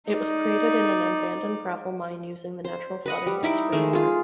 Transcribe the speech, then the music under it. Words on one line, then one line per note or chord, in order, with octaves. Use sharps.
It was created in an abandoned gravel mine using the natural flooding of springwater.
D#4 D5
C5
B4 D#5 F#5
G3
D#4 E4 B5 D6
D#3 G#3 A3
F4 G#4